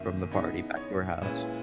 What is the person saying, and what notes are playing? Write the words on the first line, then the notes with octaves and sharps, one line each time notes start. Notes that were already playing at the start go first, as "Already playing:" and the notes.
from the party back to her house,
Already playing: F#2 D#3 A#3 E5
C#3 E3 B3 D#4
C#5
A#2 G#3 C#4 E4 B4